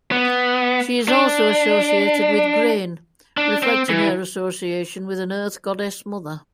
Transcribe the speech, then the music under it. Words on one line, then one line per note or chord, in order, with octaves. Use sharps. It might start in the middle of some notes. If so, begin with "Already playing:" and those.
She is also associated with grain, reflecting her association with an earth goddess mother.
B3
D4
D4
C4
E3